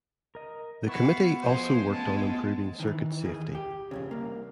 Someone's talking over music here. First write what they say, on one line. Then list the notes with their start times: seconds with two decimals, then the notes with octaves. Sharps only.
The committee also worked on improving circuit safety.
0.35 A#4 D#5
0.87 B3 E4 F#4 F5 C#6
1.41 F3 G#3 C5
1.91 G#3 A3 B3 C#4 F4 A5
2.80 D#3 E3
3.22 D#2 G#4
3.55 G4
3.91 F2 G#2 C#3
4.11 C2 A#3